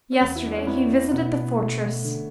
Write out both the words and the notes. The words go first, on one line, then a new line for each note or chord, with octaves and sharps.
Yesterday he visited the fortress.
C#4
E2 B3
E4
D4
C#4
B3 E4
B2 B3
A3
D3